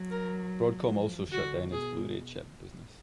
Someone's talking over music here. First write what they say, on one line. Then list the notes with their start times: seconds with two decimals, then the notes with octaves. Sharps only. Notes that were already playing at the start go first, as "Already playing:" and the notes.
Broadcom also shut down its Blu-ray chip business.
Already playing: F#3
0.11 A#4
0.92 F3
1.32 D3 F#4
1.72 B2 G#4